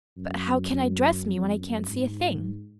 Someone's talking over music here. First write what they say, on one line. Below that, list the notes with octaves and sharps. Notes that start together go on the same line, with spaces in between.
"But how can I dress me when I can't see a thing?"
F#2
F#2
F2
F#2
G#2